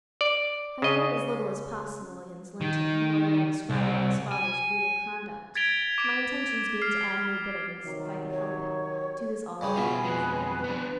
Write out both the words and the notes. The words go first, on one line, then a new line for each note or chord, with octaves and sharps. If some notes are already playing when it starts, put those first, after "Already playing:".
I uttered as little as possible against Linton; nor did I describe all his father's brutal conduct--my intentions being to add no bitterness, if I could help it, to his already over-flowing cup.
D5
C#3 D#5
D#3
C2
G#5
G#6 A6 B6 D7 F7 G7
D6 D7
F6 C7
C3 D#3 F#3
C#5
G2 C#3 G3 G#5 B5 D#6
B2 F4 E5
F2 G#3 B4
B3 D4